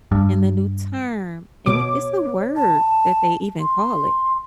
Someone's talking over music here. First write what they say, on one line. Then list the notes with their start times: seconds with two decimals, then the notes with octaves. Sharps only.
and the new term, and it it's a word, that they even call it,
0.12 G2
1.66 B2 C#5 D6
2.56 A5
3.60 C6